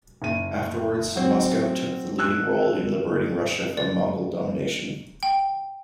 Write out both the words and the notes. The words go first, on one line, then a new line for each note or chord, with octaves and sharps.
Afterwards, Moscow took the leading role in liberating Russia from Mongol domination.
F#1 D#7
F#3 C4
E6 F#6
D5
G5